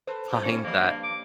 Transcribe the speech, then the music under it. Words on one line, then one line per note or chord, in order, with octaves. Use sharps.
find that,
A4 B4 C5
B2 F4 G4
G2 C4 C#4
F3 G3 A#3
G2
D6